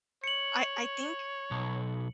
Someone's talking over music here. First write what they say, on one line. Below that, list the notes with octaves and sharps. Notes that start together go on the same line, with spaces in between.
I I think
C#5 C#7 F#7
B1